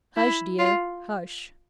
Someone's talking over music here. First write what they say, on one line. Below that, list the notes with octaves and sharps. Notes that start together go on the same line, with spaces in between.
'Hush, dear, hush!
E4
F4